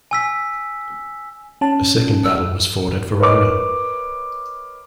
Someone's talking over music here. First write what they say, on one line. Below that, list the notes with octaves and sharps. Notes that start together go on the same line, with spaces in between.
A second battle was fought at Verona.
G#5 E6 B6
C#4 A5
E6
A#4 B4 C#5 D#5 C#6 D6